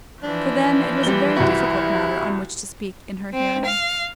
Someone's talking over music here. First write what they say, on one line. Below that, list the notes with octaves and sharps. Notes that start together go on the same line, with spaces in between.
For them it was a very difficult matter on which to speak in her hearing.
E3 F3 D4
G3 G7
C2 E4 F#4
C4
F5